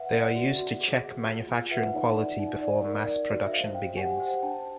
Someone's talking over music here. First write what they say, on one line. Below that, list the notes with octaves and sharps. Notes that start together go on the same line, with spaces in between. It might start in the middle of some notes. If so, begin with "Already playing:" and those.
They are used to check manufacturing quality before mass production begins.
Already playing: B4 E5 F#5
D5
F#4
F#4
G#4
G#4
F4
F4
B4 E5 F#5
D#4
D5
D#4
D5
A#4
D5
F#4
E5
C5 D#5 F5
C5 F5 G5
G4 F#5 G#5
C5 F#5 G#5
D4 G5 A5